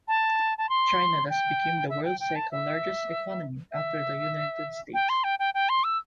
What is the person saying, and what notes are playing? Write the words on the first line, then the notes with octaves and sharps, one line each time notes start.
China thus became the world's second-largest economy after the United States.
A5
A5
C6
G5
E5
G5
G5
A5
E5
E5
G5
C6
G5
G5
G5
C6
E6